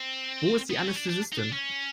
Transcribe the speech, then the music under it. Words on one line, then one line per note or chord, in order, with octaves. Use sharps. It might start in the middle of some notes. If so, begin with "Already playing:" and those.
Wo ist die Anästhesistin?
Already playing: C4
B3
C4
C#4
D4
D4
D#4
D4
C#4